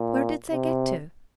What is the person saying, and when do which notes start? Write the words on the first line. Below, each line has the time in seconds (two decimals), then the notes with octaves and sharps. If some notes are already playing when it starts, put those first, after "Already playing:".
Where did they get to?
Already playing: A#2
0.51 C3